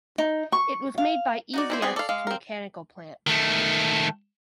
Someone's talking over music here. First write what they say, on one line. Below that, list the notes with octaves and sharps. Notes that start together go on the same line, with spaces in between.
It was made by Izhevsk Mechanical Plant.
D#4
C#6
F5
D#4 F#4 D5
E3 E4 C5
B3 C4 G#4
A4 D5 F5
G#3 F5
C4 A#4
D#3 A3